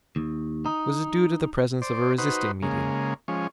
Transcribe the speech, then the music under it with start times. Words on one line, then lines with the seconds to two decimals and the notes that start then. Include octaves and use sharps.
Was it due to the presence of a resisting medium?
0.16 D#2
0.66 D#4
1.82 C5 D5
2.18 D#4 F#4 B4 C5
2.63 C#3 G#3 A#3
3.28 F3 G#3 C#4